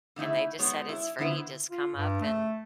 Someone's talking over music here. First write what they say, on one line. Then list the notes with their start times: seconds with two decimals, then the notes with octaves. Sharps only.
and they just said "It's free, just come up and"
0.16 D3 A3 D#4 E4
0.59 G#3 B3 D#4 F#4 C#5
0.89 E4
1.19 D3 B3 E4 B4 C5
1.71 F4
1.95 G2
2.21 A3